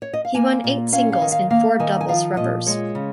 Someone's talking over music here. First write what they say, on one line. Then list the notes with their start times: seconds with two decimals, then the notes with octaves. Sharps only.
He won eight singles and four doubles rubbers.
0.02 C#5
0.14 D#5
0.25 F5
0.35 A#3 G#5
0.64 A#2
0.92 C#4 F5
1.12 F5
1.21 D#3
1.32 F5
1.50 A#3 F5
1.80 D#3 G#5
2.01 G#5
2.08 F3 F5
2.37 A#2 D#5
2.67 G#3 C#5
2.95 C#3